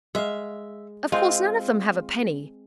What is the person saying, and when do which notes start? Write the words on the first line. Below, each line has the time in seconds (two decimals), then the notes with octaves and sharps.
Of course none of them have a penny.
0.15 G#3 E5 F5
1.12 G#3 C4 F4 G5